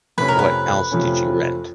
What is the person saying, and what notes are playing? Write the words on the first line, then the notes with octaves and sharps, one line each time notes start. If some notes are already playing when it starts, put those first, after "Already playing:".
What else did you rent?
F2 C3 F3 A3 C#4 B4
A#4
B4
F2 C3 F3 A3 C#4